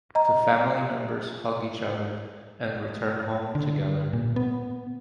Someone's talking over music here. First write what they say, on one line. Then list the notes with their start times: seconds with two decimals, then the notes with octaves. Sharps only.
The family members hug each other and return home together.
0.15 D#5 A#5
3.55 D3
4.13 A#2
4.36 B3